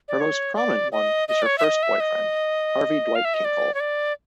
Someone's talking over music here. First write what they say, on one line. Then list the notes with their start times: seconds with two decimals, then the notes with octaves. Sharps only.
Her most prominent one is her first boyfriend, Harvey Dwight Kinkle.
0.08 D5
0.20 C#5
0.55 D5
0.92 D#5
1.28 D#5
1.42 D5
1.46 C#5
1.58 E5
1.64 D#5
1.83 E5
2.00 D#5
3.15 F5
3.25 E5
3.34 D#5
3.44 D5
3.74 C#5
3.80 D5